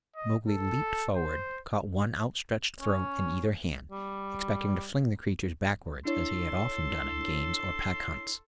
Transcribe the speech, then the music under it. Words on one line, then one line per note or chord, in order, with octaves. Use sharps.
Mowgli leaped forward, caught one outstretched throat in either hand, expecting to fling the creatures backward as he had often done in games or Pack hunts.
D#5
A4
C5
C#4
G3
D4 E4 A4 C#5 C6